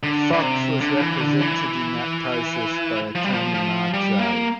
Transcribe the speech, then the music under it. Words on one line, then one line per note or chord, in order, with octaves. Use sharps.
Fox was represented in that process by attorney Mark Zaid.
D3
D3
C3
D3
E3
D3
E3
F3
G3
F3
F3
G3
A#3